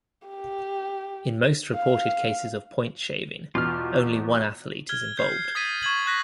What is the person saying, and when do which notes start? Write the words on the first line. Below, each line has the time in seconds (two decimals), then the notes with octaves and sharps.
In most reported cases of point shaving, only one athlete is involved.
0.28 G4
1.74 F5
3.55 E2 B2 F4 F6
4.89 F6 G#6 G7
5.17 G6 C7
5.55 D#6 G#6 A6 B6 C7 D#7
5.83 C#6 G#6 F#7
6.06 C#6 F#6 A#6 B6